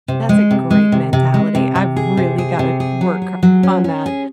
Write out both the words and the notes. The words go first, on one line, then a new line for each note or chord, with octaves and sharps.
That's a great mentality, I've really gotta work on that.
C3
G#3
C3
G#3
C3
C3
G#3
C3
C3
G#4
C3
G#4
C3
G#4
F#3
G#4
F#3
C#4
C#4
G#4